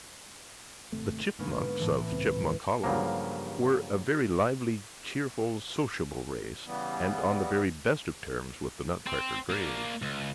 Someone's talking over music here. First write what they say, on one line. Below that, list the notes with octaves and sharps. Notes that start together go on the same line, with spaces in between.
The Chipmunks of Chipmunk Hollow were a very lively, cheerful, sociable race, and on the very best of terms with the Nutcracker Grays.
G#1 C3 A3
G#2 D3 A#3 B3 C#4
A2 E3
C#2 G#2 C4
G2 C#3 F3 F#3 A#3
C#3 E3 G3 B3
C4
A#3 D4
C#2